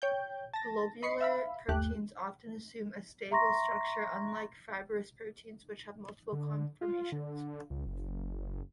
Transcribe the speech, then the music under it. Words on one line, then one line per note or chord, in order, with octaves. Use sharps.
Globular proteins often assume a stable structure, unlike fibrous proteins, which have multiple conformations.
C#5 G5 G6
A5 A6 A#6
D#5 B5 C#6 C7 C#7
E5 F5 B5
G1 D#2 A3 G4 F#6
E5 A#5 C6 C#6 A#6
D3
F4
D3
C#2
F#1